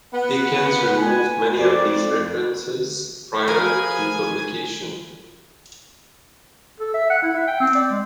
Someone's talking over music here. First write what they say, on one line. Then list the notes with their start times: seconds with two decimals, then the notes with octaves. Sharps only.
Dickens removed many of these references prior to publication.
0.14 B3 F#5
0.97 G#5
1.58 F2 D5
3.48 F3 G#4 A#4 B4 G#5
6.80 A4
6.94 E5
7.10 F#5
7.22 E4
7.34 E5
7.47 G5
7.60 C4
7.75 D5
7.90 G#3